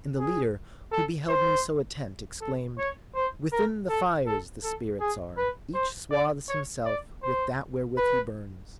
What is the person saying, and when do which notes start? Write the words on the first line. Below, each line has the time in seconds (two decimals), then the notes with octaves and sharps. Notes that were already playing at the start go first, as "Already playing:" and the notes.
And the Leader, who beheld me so attent, Exclaimed: "Within the fires the spirits are; Each swathes himself with that wherewith he burns."
0.18 G#4
0.92 A4
1.29 C5
2.41 A4
2.78 C#5
3.15 C5
3.52 A#4
3.89 A4
4.26 A4
4.63 A4
5.00 G#4
5.37 B4
5.74 C5
6.11 D5
6.49 C#5
6.85 D5
7.23 C5
7.97 B4